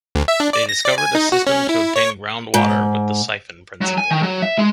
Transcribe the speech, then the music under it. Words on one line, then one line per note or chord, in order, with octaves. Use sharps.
They discovered a system to obtain ground water with the siphon principle.
D2
E5
D4
D5
A#6
D5
G#5
D#4
F#4
C#4
E4
C#5
G#2
F#3
G#5
D#3
F#3
E5
G#3